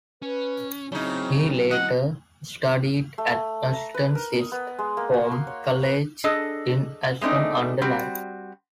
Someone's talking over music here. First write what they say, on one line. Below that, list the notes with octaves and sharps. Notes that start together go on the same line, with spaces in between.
He later studied at Ashton Sixth Form College in Ashton-under-Lyne.
C#4 B4
C#3 F#3 C4 D#4 E4
D#5 F#5
A3
A#5
B4
A#4
D#5
B3
G#3
A#3
F#4
C6
C#5
B4
D4 G#4 A4 D#5
G#3 A3 C4 D4 D#4
G3 C4 F#4